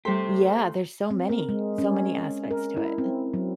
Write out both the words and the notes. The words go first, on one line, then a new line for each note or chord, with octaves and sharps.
Yeah, there's so many. So many aspects to it.
G3 A3 G4 C5 C6 B6
C4
A#4
G#3
C#4
A#4
E4
C4
F#3